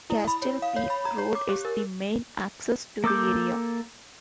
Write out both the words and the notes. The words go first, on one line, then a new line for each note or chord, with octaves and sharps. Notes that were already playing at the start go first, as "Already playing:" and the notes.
Castle Peak Road is the main access to the area.
E4
B5
C#5
F5
C#5
B5
A#5
C#5
D6
G4
A#4
A#3 A4 D6 G6